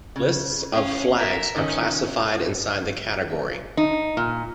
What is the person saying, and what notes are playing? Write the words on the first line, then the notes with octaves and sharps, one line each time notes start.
Lists of Flags are classified inside the category.
C#3
C#4 F5
A#4 E5
D#3 C#4
D#4
A#2